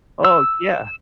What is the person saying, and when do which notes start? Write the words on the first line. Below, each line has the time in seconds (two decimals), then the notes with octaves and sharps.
Oh, yeah.
0.25 E6